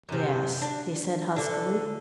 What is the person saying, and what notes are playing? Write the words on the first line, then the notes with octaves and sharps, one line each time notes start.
"Yes," he said huskily.
F#2 C3
D4
D3 D4